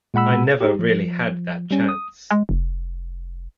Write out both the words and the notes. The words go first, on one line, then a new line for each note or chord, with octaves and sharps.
I never really had that chance.
A#2 G#3 F#5 B5 E6
D#4 G4
F3
G3 C#4
D#6
G#3
F1